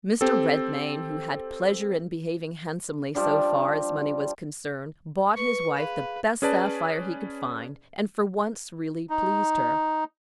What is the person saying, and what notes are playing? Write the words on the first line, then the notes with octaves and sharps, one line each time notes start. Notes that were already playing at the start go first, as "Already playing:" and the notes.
Mr. Redmain, who had pleasure in behaving handsomely so far as money was concerned, bought his wife the best sapphire he could find, and, for once, really pleased her.
C4 G4 A4
F3 G3 D4
B4 C#6
G#4 B4 F5
C#4 G#4 B4 D5 A5
D#4